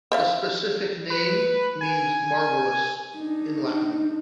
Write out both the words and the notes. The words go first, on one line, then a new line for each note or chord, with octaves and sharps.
The specific name means "marvelous" in Latin.
C5 E5 F5
B4
G#5
D4 D#4